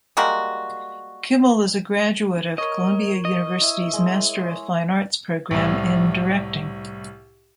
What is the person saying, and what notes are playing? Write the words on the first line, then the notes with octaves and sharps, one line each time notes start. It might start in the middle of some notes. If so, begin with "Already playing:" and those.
Kimmel is a graduate of Columbia University's Master of Fine Arts program in Directing.
G3 G#3 A#3 F#4
A#4 C#5 D#5
D#5
E4
G#3
C2 A2